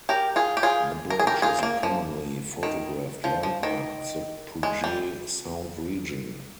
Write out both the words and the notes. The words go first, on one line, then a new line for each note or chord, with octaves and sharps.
The bridge is a commonly photographed landmark of the Puget Sound region.
G4 A#4
F4 G#4
G4
F4 G#4
A#4
G#4
G4 A#4
F4 G#4
C4
A#3
F3
D#3
F3
F3
D#3
G#3
G3